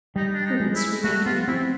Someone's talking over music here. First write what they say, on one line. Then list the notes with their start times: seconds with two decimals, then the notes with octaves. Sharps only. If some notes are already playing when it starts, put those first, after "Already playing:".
Prudence remained behind.
0.16 G3 D#4
0.34 D4
0.46 D#4
0.60 G#3
0.75 E4
1.04 A3 F#4
1.25 B3 F4
1.47 C4 E4